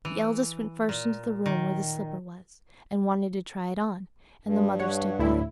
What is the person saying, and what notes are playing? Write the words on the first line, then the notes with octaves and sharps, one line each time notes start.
The eldest went first into the room where the slipper was, and wanted to try it on, and the mother stood by.
E3
A#2
D#3
G2
C#5 F#5
D2 A2 E4